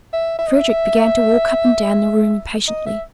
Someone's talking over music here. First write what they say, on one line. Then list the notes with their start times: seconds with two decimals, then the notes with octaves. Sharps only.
Frederick began to walk up and down the room impatiently.
0.13 E5
0.39 E5
0.48 D#5
0.55 E5
2.68 D#5
2.86 E5